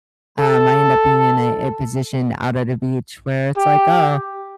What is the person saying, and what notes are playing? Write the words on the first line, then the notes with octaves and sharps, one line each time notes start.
um, I end up being in a a position out at the beach, where it's like, "Oh,
A4
G4